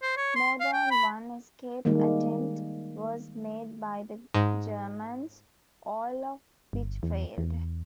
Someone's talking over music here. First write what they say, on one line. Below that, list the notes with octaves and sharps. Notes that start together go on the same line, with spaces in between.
More than one escape attempt was made by the Germans, all of which failed.
C5
C#5
C6
F5
G5
B5
D#3 G3 G#3 A#3
G#2
G1
E2
E2